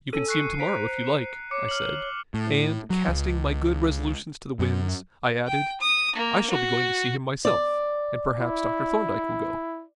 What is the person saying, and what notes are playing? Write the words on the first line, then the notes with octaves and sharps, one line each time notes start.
"You can see him to-morrow, if you like," I said; and, casting my good resolutions to the winds, I added: "I shall be going to see him myself, and perhaps Dr. Thorndyke will go."
C#4 A4 G#5 D#7
C#6 F#6 C7 C#7
C5 A#5 B6 D7
C#5 D6 C#7
F6 F#7
A2
F#3
C#2
F#2
G5
D#6
A#3
F#4
D5
E4